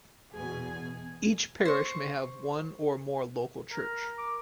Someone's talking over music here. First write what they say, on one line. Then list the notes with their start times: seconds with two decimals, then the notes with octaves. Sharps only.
Each parish may have one or more local church.
0.31 E2 B2 G#4 G#5
1.65 C5 C#6
3.72 A#4
4.18 D6